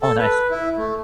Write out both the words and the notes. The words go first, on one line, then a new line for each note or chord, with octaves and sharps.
Oh, nice.
A4
B4
E4
A3